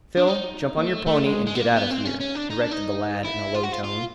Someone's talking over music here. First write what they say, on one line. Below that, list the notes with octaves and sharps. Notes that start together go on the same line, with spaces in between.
"Phil, jump on your pony and get out of here," directed the lad in a low tone.
D4
D#4
A#3
A3
A3
G#3
G#3
B3
A#3
B3
C4
C#4
C#4
D4
D#4
D4
D#4
E4
F4
F#4
F4
F4